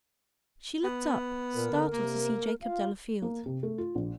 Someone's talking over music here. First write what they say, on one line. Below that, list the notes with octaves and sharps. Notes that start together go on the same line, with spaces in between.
She looked up, startled, to see Jacob Delafield.
B3
A#2 A#4
D3
C3 A#3
F4 F5
A#3
C3
A3
F4
A#1